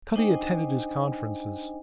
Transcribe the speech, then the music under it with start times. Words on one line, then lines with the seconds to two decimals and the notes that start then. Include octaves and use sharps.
Cutty attended his conferences.
0.16 D4 D#4 C5 D#5 G5 G#5